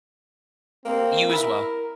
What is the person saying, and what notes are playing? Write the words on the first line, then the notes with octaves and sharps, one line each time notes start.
You as well.
A#3 C4
E4 A#4